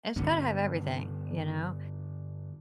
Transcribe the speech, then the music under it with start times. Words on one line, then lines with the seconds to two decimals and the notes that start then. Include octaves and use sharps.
it's gotta have everything, you know,
0.16 G2 D3 B3 C#4